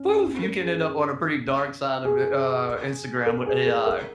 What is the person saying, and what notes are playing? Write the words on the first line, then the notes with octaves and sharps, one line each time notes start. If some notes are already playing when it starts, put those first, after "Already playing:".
poof, you can end up on a pretty dark side of I uh, Instagram with AI.
Already playing: C#4
A#4
G#4
G#4
A#4
G#4
A#4
A#4